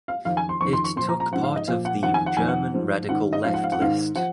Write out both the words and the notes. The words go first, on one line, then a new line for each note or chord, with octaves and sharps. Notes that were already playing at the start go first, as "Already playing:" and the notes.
It took part of the German radical left list.
F5
F2 D#3 F5
G#5
C6
F2 D#3 C#6
C6
C#6
A#2 F3 C6
A#5
A#5
G#2 F3 F#5
F5
D#5
A#2 F3 F5
F#5
F2 D#3 F#5
G#5
F#5
F2 D#3 G#5
F#5
G#2 F3
G#2 D#3 F#5
D#5
G#2 F3 F5
F#5
F5
F#5
G#2 D#3 F5
F3 F#5